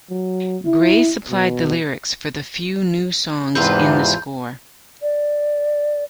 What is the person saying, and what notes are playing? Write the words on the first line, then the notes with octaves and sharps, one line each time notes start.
Grey supplied the lyrics for the few new songs in the score.
F#3
E4
B2
E2 G#2 C3 E3 F4 A4 B4 G6
D5